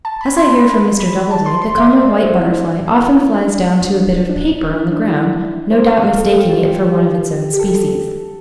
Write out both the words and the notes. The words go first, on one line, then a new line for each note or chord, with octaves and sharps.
As I hear from Mr. Doubleday, the common white butterfly often flies down to a bit of paper on the ground, no doubt mistaking it for one of its own species.
A5
B5
C6
B5
B5
A5
C6
C6
E5
D5
C5
D4
E4
D4
D4
E4
D4
E4
D4
C5
F5
F5
A4
G4
F4
G4
G4
A4